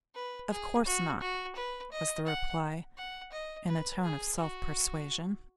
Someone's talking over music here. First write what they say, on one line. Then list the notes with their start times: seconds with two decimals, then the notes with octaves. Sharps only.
'Of course not,' was the reply, in a tone of self-persuasion.
0.15 B4
0.51 G#4
0.86 F#4
1.21 F#4
1.56 B4
1.92 D#5
2.27 F#5
2.97 F#5
3.32 D#5
3.68 B4
4.03 G#4
4.38 F#4